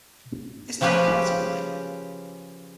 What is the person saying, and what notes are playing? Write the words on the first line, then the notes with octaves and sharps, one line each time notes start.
Isn’t that a poetical name?
C#3 F3 C#4 G4 G#4 B4